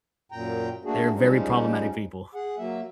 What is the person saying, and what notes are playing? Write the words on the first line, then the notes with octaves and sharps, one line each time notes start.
They're very problematic people.
F#2 A#2 G5 A#5
A3 A#3 D4 F#4 G#4
F3 G3 G#3 C#4 D#4
G#4 F#5
F#3 A#3 E5